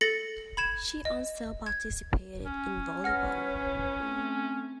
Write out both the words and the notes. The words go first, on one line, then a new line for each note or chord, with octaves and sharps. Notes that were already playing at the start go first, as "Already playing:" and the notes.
She also participated in volleyball.
A4 A6 A#6 C#7 F#7
B5 G#6 E7
D#5
G#6
C#4
B4 C#5 F#5 F6 A#6
A3 C4